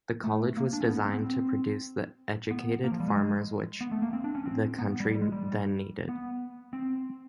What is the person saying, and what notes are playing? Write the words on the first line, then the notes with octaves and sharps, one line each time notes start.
The college was designed to produce the educated farmers which the country then needed.
A3
A#3
D4
C#4
B3
B3
C4
C4
B3
A#3
F3
G3
G#3
B3
A3
A#3
C4
D4
C#4
C4
B3
G3
G3
G#3
G3
B3
C4